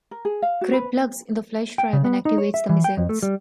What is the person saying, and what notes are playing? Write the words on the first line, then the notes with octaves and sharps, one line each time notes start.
Cray plugs in the flash drive and activates the missiles.
A#4
G#4
F5
F#4
B4
G5
C#3
B3
D#4
C#5
E5
E3
G5
F2
A3
G3